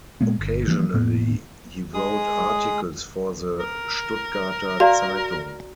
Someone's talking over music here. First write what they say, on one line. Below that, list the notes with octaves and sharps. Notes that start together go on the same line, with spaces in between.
Occasionally, he wrote articles for the "Stuttgarter Zeitung".
A#2 G#3 A#3 B3
G1
E3 F3 A#3
F1 A2 A#3 B3
G#3 G#4 D#6
A#4
F#4 D5 F5 A#5